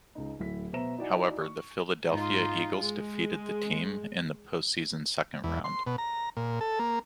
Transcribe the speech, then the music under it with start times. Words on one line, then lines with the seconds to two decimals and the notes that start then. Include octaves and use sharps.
However, the Philadelphia Eagles defeated the team in the postseason's second round.
0.15 C#2 D#4
0.39 D1 E4 B6
0.73 B2 B4 C5 E5 A#5 E7
0.98 D#4 E4 F#4 D5 F#5 G#5
1.42 C#6
2.08 G#2 D#4 F4
2.80 G#3
5.44 E2
5.64 C6
5.87 B2
5.98 A#5
6.37 A#2
6.61 A4
6.79 A#3